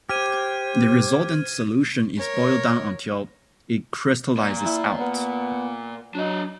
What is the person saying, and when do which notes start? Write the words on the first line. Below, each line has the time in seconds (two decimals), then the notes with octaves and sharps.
The resultant solution is boiled down until it crystallizes out.
0.09 G4 C5 F6 G#6 D#7
2.17 A#4 C#5
4.37 A#2 A#3
4.65 E4
5.00 B3
6.15 F#3 D4 D#5